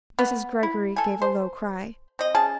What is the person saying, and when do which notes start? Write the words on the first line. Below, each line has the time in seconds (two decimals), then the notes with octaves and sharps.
Mrs. Greggory gave a low cry.
0.19 B3
0.63 E4
0.96 A4 G#5
1.22 C5
2.19 C4 D#5
2.35 C#4 G#4 A5